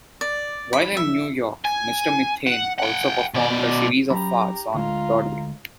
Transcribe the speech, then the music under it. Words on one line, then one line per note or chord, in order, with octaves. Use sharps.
While in New York, Mr Methane also performed a series of farts on Broadway.
D5
B5
E5
G#5
F#5
F#5 G5
B2 D5
F#3 C#4 G4 A#5 B5
D2 G#3 F4 A#5